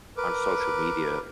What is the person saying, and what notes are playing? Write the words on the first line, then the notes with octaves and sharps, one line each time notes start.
on social media,
A#4 B4 D6